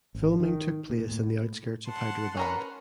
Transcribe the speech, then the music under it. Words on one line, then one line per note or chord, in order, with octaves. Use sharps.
Filming took place in the outskirts of Hyderabad.
G#1
D#3
A#2
A2
F#5 A5 C6
C#4 A#4 B4